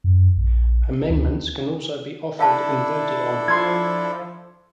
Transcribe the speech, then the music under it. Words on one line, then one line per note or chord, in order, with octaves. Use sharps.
Amendments can also be offered and voted on.
F#2
A#1
D2
D4 E4 A4 E5 F5 A5
F3 C6 G#6